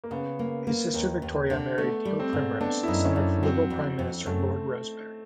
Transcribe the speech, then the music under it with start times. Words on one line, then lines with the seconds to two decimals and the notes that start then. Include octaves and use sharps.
His sister Victoria married Neil Primrose, the son of Liberal Prime Minister Lord Rosebery.
0.04 A#3
0.11 C#3 B3
0.39 A#3
0.67 A#3
0.94 D#2
1.22 D#2
1.50 D3
1.78 A3 B3
2.05 G3
2.19 C4
2.33 G#2
2.61 B3 D4
2.83 E4
2.88 F#2 D#4
3.05 C#4
3.15 F#2 D4
3.43 F#3 C4
3.70 F2
3.99 F2
4.26 F#2 A3